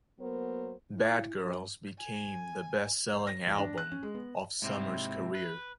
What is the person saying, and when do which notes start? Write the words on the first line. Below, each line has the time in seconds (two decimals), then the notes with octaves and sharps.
"Bad Girls" became the best-selling album of Summer's career.
0.20 F#3 A#3 B3 A#4 C5
0.97 E4
1.36 F#2
1.99 G#5
3.13 C5
3.27 A#6
3.47 E2
3.59 D4
3.78 F#6
3.91 C#4
4.03 G#3
4.14 B3
4.62 G#2 C3 C4 E4
5.35 B4